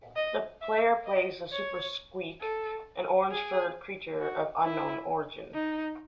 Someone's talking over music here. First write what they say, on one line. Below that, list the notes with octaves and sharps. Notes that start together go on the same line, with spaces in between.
The player plays the Super Skweek, an orange-furred creature of unknown origin.
D#5
E5
D#5
C#5
A4
G#4
F#4
E4
D#4